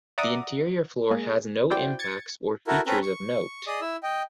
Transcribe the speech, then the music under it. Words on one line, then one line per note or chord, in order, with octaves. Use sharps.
The interior floor has no impacts or features of note.
D5 E5 F#5 A#5 D6 D#6
G#3 A#3 G#4
E4 F#4 C5 D5 G5
G#6 A6 C#7
E4 F#4 A4 A#4
C4 C#4 A4 B4 A#5 B5
C#6
G#4 D5 D#5 D#6
E4 E6
D#5 G5